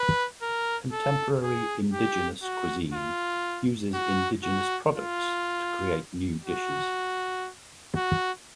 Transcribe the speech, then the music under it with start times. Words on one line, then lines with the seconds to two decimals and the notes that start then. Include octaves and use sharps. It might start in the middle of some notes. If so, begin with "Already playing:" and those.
Contemporary indigenous cuisine uses indigenous products to create new dishes.
Already playing: B4
0.42 A#4
0.92 A4
1.43 G#4
1.93 G4
2.43 F#4
2.94 F4
3.94 F#4
4.43 F#4
4.95 F4
6.45 F#4
7.96 F#4